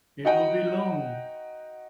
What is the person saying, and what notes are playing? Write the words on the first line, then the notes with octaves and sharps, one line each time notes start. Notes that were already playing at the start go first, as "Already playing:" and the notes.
It will be long.
D#4 F#4 D#5 F#5 G5